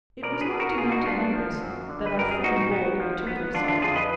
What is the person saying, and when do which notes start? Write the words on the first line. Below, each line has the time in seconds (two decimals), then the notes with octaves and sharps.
It was not to Mount Olympus that our friend Bold betook himself.
0.23 B2 A#4 D5
0.41 G#4 B4
0.50 B3
0.59 F#4 A#4
0.78 B2 F4 G#4
0.92 D#4 F#4
1.05 B3 D4 F4
1.20 D4
1.33 F3
1.61 F#2
1.89 D3
2.06 B4
2.16 F#2 A#4
2.31 G#4
2.44 A#2 D#4 F#4
2.71 B3
3.00 F3
3.26 B3
3.54 D3 D4 F4
3.68 D4 F4
3.82 F2 F4 G#4
3.96 B4 D#5